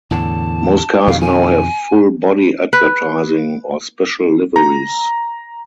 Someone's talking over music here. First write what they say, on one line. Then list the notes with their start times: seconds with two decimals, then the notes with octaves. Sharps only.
Most cars now have full body advertising or special liveries.
0.11 E2 A2 D3 A5
1.08 F2 B2 D#3 F5
1.21 G#5
2.73 B4
4.56 A#5